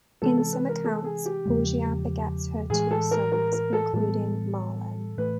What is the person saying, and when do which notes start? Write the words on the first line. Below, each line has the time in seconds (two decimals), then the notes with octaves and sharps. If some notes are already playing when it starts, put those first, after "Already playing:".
In some accounts, Ogier begets her two sons, including Marlyn.
0.22 C3 E3 G#3 C4 A4
0.38 A4
0.53 B4
0.69 A#4
0.84 A4
1.05 G#4
1.26 G4
1.46 E2 C#3 F3 G#3
2.70 A2 E3 G#3 G#4
2.91 A4
3.11 A#4
3.32 A#4
3.53 A#4
3.73 A4
3.93 A2 E3 G3 B3 A4
5.17 A2 E3 A3 B4